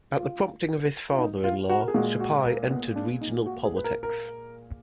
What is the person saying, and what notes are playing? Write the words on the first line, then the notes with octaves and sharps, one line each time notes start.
At the prompting of his father-in-law, Chapais entered regional politics.
F4
F4
D#4
F4
F#4
A#4
G#4
A#2 G#3 F#4
F#4
A#4
B3
D4
D#4
F#4
G#4
B4
A#4
A#4